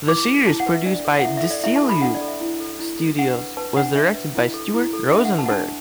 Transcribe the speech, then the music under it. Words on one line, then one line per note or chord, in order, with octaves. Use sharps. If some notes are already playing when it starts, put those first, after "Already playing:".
The series, produced at Desilu Studios, was directed by Stuart Rosenberg.
E4 D6
A4
E4 A5
F#5
B4
E5
D4 D5
A4
F#5
E4 E5
E5
A4
D5
E4 E5
A5
A4
B5
D4 F#5
D5
A4
E5
E4
A4
E4
A4
D4 F#5
B4
B4 A5
D4 F#5
D4 E5
B4
E4
A4
E4
A4
D4 E5
F#5
B4
A5
F#5
D4 A5